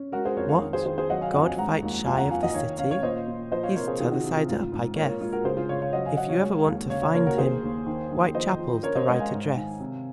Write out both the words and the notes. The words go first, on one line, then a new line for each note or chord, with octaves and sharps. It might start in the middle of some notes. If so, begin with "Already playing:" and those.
What, God fight shy of the city? He's t' other side up I guess; If you ever want to find Him, Whitechapel's the right address.
Already playing: C#4
G#3 F#4 A#4
G#4 C5
F2 A#4 C#5
C#5 F5
D#3
G#4 C5
D#3 G#4 C5
G#4 C5
F#3 D#5 F#5
F5 G#5
F2 D#5 F#5
F5 G#5
G#3 F#5 A#5
D#2
F2 F5 G#5
F#5 A#5
F3 F5 G#5
D#5 F#5
D#3 C#5 F5
C#4 C#5 F5
C#5 F5
A#2 C5 D#5
A#2
F3 C5 D#5
C#5 F5
C3 A#4 C#5
G#4 C5
D#3 F4 G#4
D#4 F#4
C3 F4
F4
G#2 F4
G#2
A#2 A#4 C#5
F4
G#3 F4
F#4 A#4
C#3 G#4 C5
F4 G#4
C#3 C#5 F5
C#5 F5
F#3 D#5 F#5
F5 G#5
F#3 D#5 F#5
C#5 F5
G#3
D#2
C#3 C#5 F5
C#5 F5
A#3 A#4 C#5
F#4 A#4
D#3 G#4 C5
D#2
D#3
D#3
F3 C5 D#5
F3
C#4 A#4 C#5
C5 D#5
G#3 D#5 F#5
F5 G#5
G#2
D#3
C3